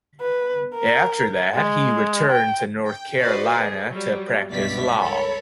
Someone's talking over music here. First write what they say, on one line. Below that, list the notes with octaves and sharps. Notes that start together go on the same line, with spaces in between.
After that, he returned to North Carolina to practice law.
B4
A#4
G#3
G5
G5
F#4 B4 C5 D5 D#5
G#4
F#3 G3
C#2 G2 B2 D5 E5 B6
A4 A#4 C#5 B5